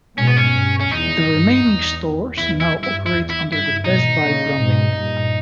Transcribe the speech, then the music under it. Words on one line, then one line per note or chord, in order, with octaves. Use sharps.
The remaining stores now operate under the Best Buy branding.
G#2 B2 C#4
B3
C#4
G2
C#4
E2 D#4
G2
E2
E2 E4
E4
G2
E4
E2 E4
E4
G2 E4
G#2 B2 D#4
A#2 C#3
G#2 B2
G2 A#2